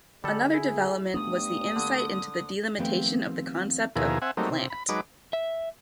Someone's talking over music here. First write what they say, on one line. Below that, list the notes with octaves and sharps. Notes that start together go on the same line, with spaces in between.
Another development was the insight into the delimitation of the concept of 'plant'.
D3 G3 G#3 A4
E4 G#4
G2 A3 B3 D4 D#6
D3
D#3 F3 G3 A3 B3 C4
D#2 B2 F3 E4 G#4 A#4
C4 E5 F#5 G#5
F#3 G3 A3 A#3 C4 D#4
C3
B5
F#3 G#3 D#4 B4 D6
E5